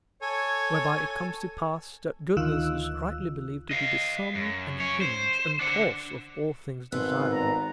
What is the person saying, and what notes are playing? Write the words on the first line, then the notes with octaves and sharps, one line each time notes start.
Whereby it comes to pass that goodness is rightly believed to be the sum and hinge and cause of all things desirable.
A4 C#5 G#5
D2 D#3 F4 E6 F#6
D#5 F5
F#2
G#4 C#5
C5
D4 F#5
G#1 B3 C6 E6 F#6
D5 A#5